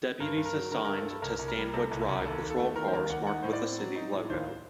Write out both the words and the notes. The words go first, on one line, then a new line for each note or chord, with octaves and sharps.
Deputies assigned to Stanwood drive patrol cars marked with the city logo.
G2 A#4
G2
A#4
F#3
D3 A#4
G2 A#4
A4
G2
A4
C2 A#4
C2
A#4
G3
C3 A4
C2
C2
D#2 A4
D#2
A4
A3
D#3 A#4
C5
D#2 A#4
D#2 F#5
D#4 F#5
A2 C5
D5
C4
F#3
D#4
A2
D#2 C5